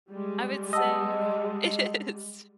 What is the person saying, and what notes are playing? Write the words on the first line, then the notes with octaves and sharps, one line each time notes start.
I would say it is
G3 G#3
D#5 F#5 A5 E6